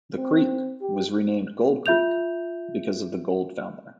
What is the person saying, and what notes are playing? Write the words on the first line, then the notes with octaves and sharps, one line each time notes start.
The creek was renamed "Gold Creek" because of the gold found there.
C4
G4
F4 E5 G6 F7